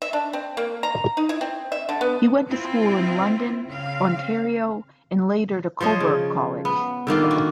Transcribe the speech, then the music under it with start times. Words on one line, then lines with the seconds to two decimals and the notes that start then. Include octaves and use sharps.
He went to school in London, Ontario and later to Cobourg College.
0.02 E5
0.13 D4
0.33 C4
0.57 A#3
0.83 A#5
1.17 D#4
1.29 E4
1.41 C4
1.72 E5
1.89 D3
2.01 B3
2.49 C4 E4 F4 C5
3.66 C#3 C4 F5
5.81 F3 C5 C#5 D#5
6.00 C#3
6.65 B3
7.07 D3 D#3 A#3 F4
7.31 F#4